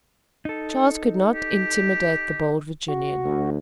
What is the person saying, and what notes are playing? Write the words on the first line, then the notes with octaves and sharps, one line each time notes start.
Charles could not intimidate the bold Virginian.
D#4 A4
G4
F#4
D2